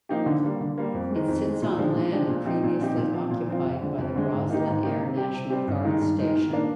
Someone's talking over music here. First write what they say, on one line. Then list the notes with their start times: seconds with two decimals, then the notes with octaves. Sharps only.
It sits on land previously occupied by the Roslyn Air National Guard Station.
0.09 F3 A#3 D#4 G4
0.26 D3
0.44 G3 A#3
0.60 D3
0.78 G3 A#3
0.94 F2
1.11 D#3 G#3
1.28 F2
1.45 D#3 G#3
1.62 A#2
1.79 F3 G#3 D4 G4
1.96 A#2
2.12 F3 G#3 D4 G4
2.29 A#2
2.46 F3 C4 D#4 G4
2.63 A#2
2.80 F3 C4 D#4 G4
2.97 A#2
3.14 F3 C4 F4
3.31 A#2
3.48 F3 C4 F4
3.65 F2
3.82 D3 G#3
3.98 F2
4.16 D3 G#3
4.32 G#2
4.50 D#3 A#3 D#4 G4
4.67 G#2
4.83 D#3 A#3 D#4 G4
5.00 C3
5.17 G3 C4 G4
5.34 C3
5.50 G3 C4 G4
5.68 G2
5.85 D#3 G#3 D#4
6.01 G2
6.19 D#3 G#3 D#4
6.35 D#3
6.53 A#3 D4